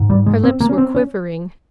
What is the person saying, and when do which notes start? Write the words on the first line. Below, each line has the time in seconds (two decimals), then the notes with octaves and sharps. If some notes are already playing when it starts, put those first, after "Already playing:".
Her lips were quivering.
Already playing: G#2
0.10 G3
0.26 G#3
0.44 C4
0.60 A#3
0.69 C#4
0.78 C4
0.95 C#4